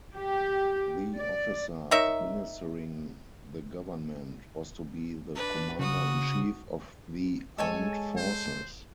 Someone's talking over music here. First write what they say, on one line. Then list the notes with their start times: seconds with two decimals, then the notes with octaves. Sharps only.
The "Officer Administering the Government" was to be the Commander-In-Chief of the Armed Forces.
0.15 G4
1.18 D5
1.91 D#4 A#4 C#5 E5
5.35 D4 B4
5.79 C#3 F#4 D#6
7.58 G#3 A4 C#5 D#5 G#5
8.17 C5